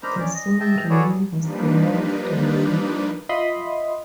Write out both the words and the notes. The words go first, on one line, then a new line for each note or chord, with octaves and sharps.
The song remembers the loved one.
D4 A#4 C5 D#5 A#5 B5
C#4 D5
D#5
D#5 E5 G5 A5
F#4 G#4 A4 B4 C#5 D5
F3 G3 A#3 D4 D#4 B4
F4 D#5 E5 B5 C6 D#6